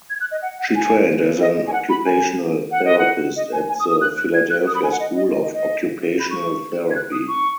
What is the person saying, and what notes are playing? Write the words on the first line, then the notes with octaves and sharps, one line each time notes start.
She trained as an occupational therapist at the Philadelphia School of Occupational Therapy.
G#6
F#6
D#5
F#5
F#5
G#5
D#5
D#5
G#5
F#5
B5
G#5
F#5
D#5
F#5
D#5
G#5
G#5
D#6
D#6
F#6
F#6
G#6
F#6
D#6
B5
G#5
F#5
D#5
D#5
D#5
D#5
D#5
B5
C#6
G#6
F#6
D#6
C#6